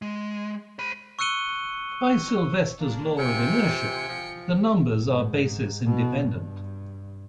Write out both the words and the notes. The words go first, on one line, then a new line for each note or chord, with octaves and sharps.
By Sylvester's law of inertia, the numbers are basis independent.
G#3
C5 B5
C#6 E6 F#6 C#7 D#7 G7
A#3 D4
D2 C3 F4 G5 G#5 C#7
F3
G#2
B2
G2